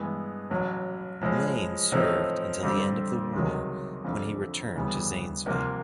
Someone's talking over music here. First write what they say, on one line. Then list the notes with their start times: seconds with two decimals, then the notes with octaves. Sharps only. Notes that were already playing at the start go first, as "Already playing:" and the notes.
Lane served until the end of the war when he returned to Zanesville.
Already playing: G2 E3 G#3 B3
0.50 A1 A2 F#3
1.21 A2 F3 G#3
1.92 A2 F3 A3 C4 D#4
2.63 F2 D3 G3 C4
3.33 C#2 C3 D#3 F#3
4.04 F2 D3 F3
4.76 D2 C#3 E3 G3 B3
5.46 C2 C3 F3 A#3